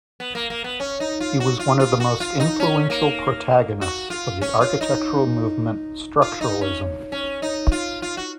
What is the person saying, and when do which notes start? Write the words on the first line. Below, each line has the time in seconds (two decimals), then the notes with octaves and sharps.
He was one of the most influential protagonists of the architectural movement Structuralism.
0.20 B3
0.35 A#3
0.50 A#3
0.64 B3
0.80 C#4
1.00 D#4
1.20 F4
1.40 F#4
1.59 F4
1.80 F4
2.00 F#4
2.20 F4
2.40 D#4
2.60 C#4
2.90 A#3
3.81 F#4
4.10 F4
4.41 C#4
4.61 F4
4.81 D#4
6.22 F4
6.41 D#4
6.61 C#4
7.12 C#4
7.42 D#4
7.72 F4
8.02 F4
8.17 F#4